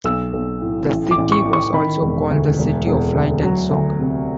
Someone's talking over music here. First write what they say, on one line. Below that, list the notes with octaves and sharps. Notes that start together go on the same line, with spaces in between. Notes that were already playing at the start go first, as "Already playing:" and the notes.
The city was also called "The City of Light and Song".
B1 E6
B1
A2
A1
D6
A1
C#6
A2
C#6
D#3 B5
E1
D2
E1
E1
D2
F#3
D2
C3